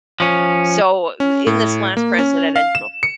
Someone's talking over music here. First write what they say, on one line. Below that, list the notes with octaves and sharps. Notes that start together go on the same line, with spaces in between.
So, we in this last presidential
F3 C#4
C#4
A2
A#3
C#4
F5
E7
C#7